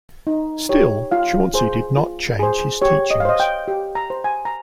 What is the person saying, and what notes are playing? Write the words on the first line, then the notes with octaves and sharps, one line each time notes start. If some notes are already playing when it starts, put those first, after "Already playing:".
Still, Chauncy did not change his teachings.
D#4
G4 C#5
F4 F5
G#4 C5
F4
G#4 C5
G4 C#5
D#5
F5
C5 D#5
G5
G4
A#5
C5
G#5
A#5